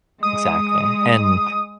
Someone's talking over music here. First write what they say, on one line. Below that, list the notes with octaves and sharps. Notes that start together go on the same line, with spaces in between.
Exactly, and,
G#3 D#6